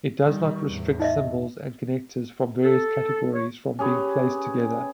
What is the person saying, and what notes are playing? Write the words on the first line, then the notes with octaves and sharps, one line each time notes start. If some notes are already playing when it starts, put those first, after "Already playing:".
It does not restrict symbols and connectors from various categories from being placed together.
D#3 G3
E2 A2
D#4 D#5 E5
A4
C#5
C#4 G4 G#4 B4